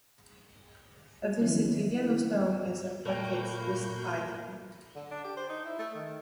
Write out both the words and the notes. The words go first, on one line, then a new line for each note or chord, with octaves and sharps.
A visit to Yellowstone is a bucket list item.
D#3 F3 F#3 B3 C#4 E4
A#2 A3 A#3 F#4 G5 B5 G6
D3
D4
G4
C5
D#4
E4
A3
D#3